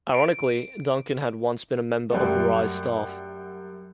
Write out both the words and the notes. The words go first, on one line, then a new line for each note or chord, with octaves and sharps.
Ironically, Duncan had once been a member of Wrye's staff.
D7
F#2 G3 A3